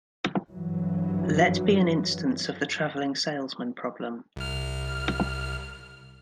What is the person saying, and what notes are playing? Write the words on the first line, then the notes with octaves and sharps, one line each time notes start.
Let be an instance of the travelling salesman problem.
G2 E3 F#3
C2 F6